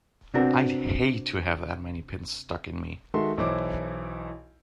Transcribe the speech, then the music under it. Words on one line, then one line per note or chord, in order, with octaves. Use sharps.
I'd hate to have that many pins stuck in me!
C3 B3 C4 D4 F#4 A#4
D#3 G#3 F#4 A4 E5 C6
B1 E3 E4 C5 D6